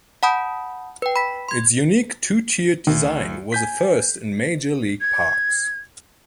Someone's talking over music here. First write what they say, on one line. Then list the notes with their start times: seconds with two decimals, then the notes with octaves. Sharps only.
Its unique two-tiered design was a first in major league parks.
0.23 F#5 A5 B5 D#6 G6
1.02 B4 G5
1.16 B5 B6
1.49 C6 G#6
2.87 D2 D#3
3.52 G#5 G6 B6
5.01 G#6